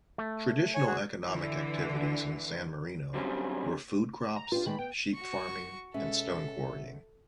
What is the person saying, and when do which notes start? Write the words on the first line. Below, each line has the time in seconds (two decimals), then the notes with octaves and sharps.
Traditional economic activities in San Marino were food crops, sheep farming, and stone quarrying.
0.18 A3
0.75 C#5 G#5
0.86 F#4 G#4
1.27 D3 E3
3.14 D3 F#3 G3 C4 C#4
4.36 A#5
4.52 D4 F4 G4 B4
4.66 D#3 G#3 D5 B5
4.79 B3 G5
5.14 F#4 C#6
5.94 B2 G#3 C#4 A4 E5